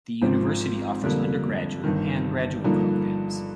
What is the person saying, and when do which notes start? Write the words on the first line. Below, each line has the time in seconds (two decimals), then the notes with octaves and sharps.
The university offers undergraduate, and graduate programs.
0.22 G#1 G#2 F3 C4
1.02 F2 D3 G3 A#3
1.84 G1 G2 D#3
2.64 G2 D3 F3 A#3 D#4